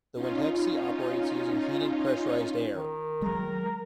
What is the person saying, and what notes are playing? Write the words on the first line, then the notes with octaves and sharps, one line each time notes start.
The Windhexe operates using heated pressurized air.
C#4 D#4 F4
D#3
F#3 G#3 A#4